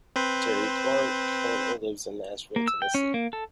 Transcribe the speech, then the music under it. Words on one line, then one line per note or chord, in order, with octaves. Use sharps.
Terri Clark currently lives in Nashville, Tennessee.
C4 B4 C5
A#3
E6
G5
C#4
A#3
A4